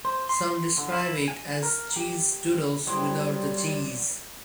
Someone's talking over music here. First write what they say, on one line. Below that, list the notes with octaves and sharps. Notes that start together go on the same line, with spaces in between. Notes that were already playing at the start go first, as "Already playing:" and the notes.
Some describe it as Cheez Doodles without the cheese.
C5
C6
D3
E4
G#5
A#4
G4
F#3 G3 B3 C4 E4 D5 C6